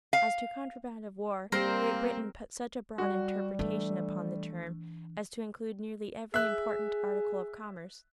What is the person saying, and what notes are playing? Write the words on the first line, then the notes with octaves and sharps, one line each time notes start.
As to contraband of war Great Britain put such a broad interpretation upon the term as to include nearly every important article of commerce.
F5
G3 A#3 C4 A#4 C5
G3 F#4
E3 A3 D4
G#4 E5 F#6